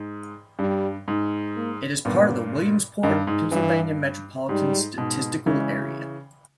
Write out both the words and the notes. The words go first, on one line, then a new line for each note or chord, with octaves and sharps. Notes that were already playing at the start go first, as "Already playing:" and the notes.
It is part of the Williamsport, Pennsylvania Metropolitan Statistical Area.
Already playing: G#2
G2 G3
G#2
A#3
G2 A#2 B3
G2 D#3
G#2
G2 E3
G#2 G3
G#2 B2
C#3 E3 G#3